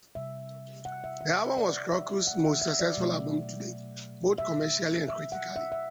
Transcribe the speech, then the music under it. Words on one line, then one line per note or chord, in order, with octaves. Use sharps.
The album was Krokus' most successful album to date, both commercially and critically.
C3 G3 E5
F#5
E5
E5
D5
E5
F#5
E5
E5
D5
B2 F#3 A3
E5
E5
F#5
E5
E5